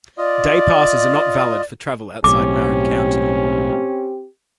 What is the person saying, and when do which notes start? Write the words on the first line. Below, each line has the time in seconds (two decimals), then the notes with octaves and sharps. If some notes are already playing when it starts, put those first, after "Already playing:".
Day passes are not valid for travel outside Marin County.
0.18 F4 D5 D#5
2.24 B1 A2 C4 C#4 G4 D6